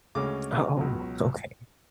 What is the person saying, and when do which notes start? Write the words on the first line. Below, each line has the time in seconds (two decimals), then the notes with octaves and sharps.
Oh, okay.
0.15 D2 C#3 G#3 C#4 D6
0.77 C#2 B2 F#3